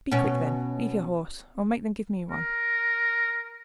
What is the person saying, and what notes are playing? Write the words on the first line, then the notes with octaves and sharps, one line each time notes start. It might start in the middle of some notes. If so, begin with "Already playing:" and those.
"Be quick, then; leave your horse, or make them give me one."
B2 C#4
A#4